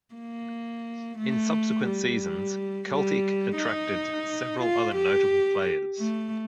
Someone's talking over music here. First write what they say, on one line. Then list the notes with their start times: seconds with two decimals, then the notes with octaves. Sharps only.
In subsequent seasons Celtic attracted several other notable players.
0.15 A#3
1.18 A3
1.87 G3
2.89 G3
3.57 D#4
4.61 F4
4.95 G4
5.99 A3